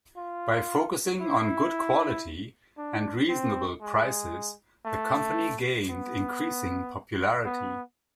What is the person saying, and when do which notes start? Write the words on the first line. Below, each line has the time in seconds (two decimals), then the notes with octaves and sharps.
By focusing on good quality and reasonable prices, the company gained increasing popularity.
0.17 F4
1.21 E4
2.78 D4
3.29 C4
3.81 G#3
4.85 A3
5.90 B3
7.45 B3